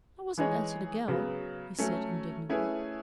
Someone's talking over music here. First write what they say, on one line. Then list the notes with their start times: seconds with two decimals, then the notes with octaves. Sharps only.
"I wasn't atter the gal," he said indignantly.
0.38 E3 G#3 D#4 G#4 C#5
1.08 C#3 F#3 B3
1.78 F#3 A3 C#4
2.49 A3 C#4 E4 G#4 B4